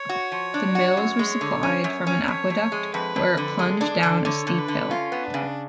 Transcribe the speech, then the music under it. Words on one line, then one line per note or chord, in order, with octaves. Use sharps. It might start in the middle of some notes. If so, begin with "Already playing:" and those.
The mills were supplied from an aqueduct, where it plunged down a steep hill.
Already playing: C#5
F#4
F3
D4
F#4
F#2
G#3
D3
C#4
F#2
C#4
F2 C#5
F2
G#3
F2 B4
F2
D3
G#3 A4
D4
A4
D3
D3 C#5
D3
B4
D3
C#4 F4
B3
D4
C#3